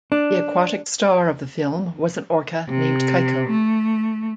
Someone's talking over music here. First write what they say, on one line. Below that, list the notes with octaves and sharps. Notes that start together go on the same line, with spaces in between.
The aquatic star of the film was an orca named Keiko.
D4
C3
A3